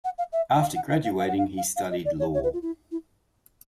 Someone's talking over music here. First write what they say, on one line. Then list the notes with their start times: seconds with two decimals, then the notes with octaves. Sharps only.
After graduating he studied law.
0.04 F#5
0.18 F5
0.33 E5
0.61 F5
0.76 F#5
0.90 F5
1.04 F5
1.19 F5
1.28 F#5
1.38 F5
1.57 F5
1.76 F5
1.90 D#5
2.05 D5
2.19 C#5
2.34 C#5
2.43 B4
2.53 F4
2.62 E4
2.91 E4